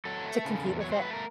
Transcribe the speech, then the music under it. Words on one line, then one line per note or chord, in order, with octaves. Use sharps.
To compete with it.
F#3 A4
A3
C#3
E2
F#3 C#5
C5
A3 B4
A#4